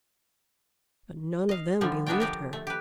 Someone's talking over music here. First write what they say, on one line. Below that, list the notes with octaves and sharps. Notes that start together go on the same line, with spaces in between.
But none of them believed her.
D#5 F5
D3 F3 G3 A3
A3 B3 D4 A#4 D5 G5
F3 G4 A#4
A3
G4 B4